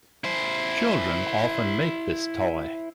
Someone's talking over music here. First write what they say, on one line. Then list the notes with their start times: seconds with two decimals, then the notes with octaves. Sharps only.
Children often make this toy.
0.24 E4 C5